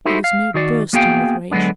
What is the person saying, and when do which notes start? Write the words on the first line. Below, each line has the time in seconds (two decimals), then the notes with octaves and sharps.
He was near bursting with rage.
0.05 D#4 E4 F#4 A4 C5
0.24 F5
0.54 D#3 F#4 D5
0.93 A#3 B3 F#4 G#4 F5 G5
1.52 D3 F#3 G#3 B3 D4